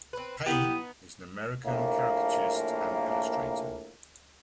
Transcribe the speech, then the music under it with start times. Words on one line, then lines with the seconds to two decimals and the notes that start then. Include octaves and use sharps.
Payne, is an American caricaturist and illustrator.
0.13 C4 B4
0.46 B3 D#4 E4 G4 D#6
1.65 A#1 A2 A#3